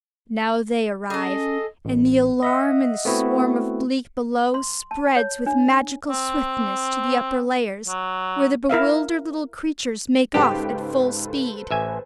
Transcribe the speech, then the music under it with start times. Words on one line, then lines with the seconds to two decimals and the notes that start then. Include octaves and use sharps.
Now they arrive, and the alarm in the swarm of bleak below spreads with magical swiftness to the upper layers, where the bewildered little creatures make off at full speed.
1.10 C#4 G#4 A4 D#5
1.85 A1
2.43 D#5 E5 F#5
3.05 A3 B3 C4 E4 F#4
4.54 C6
4.91 A5
5.16 C#5
5.46 D4
6.09 C4
7.88 F#3
8.70 E4 A#4 E5 F5
10.34 G#2 C#3 G4 A4 B4 C5 G5
11.71 A1 E5 G#5